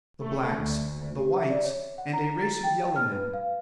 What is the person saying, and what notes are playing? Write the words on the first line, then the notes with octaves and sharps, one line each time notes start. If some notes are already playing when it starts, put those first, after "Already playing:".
The blacks, the whites, and a race of yellow men.
A3
D2
G4
E5
D5
C#5
F#5
A#5
A6
G5
F6
B4
F5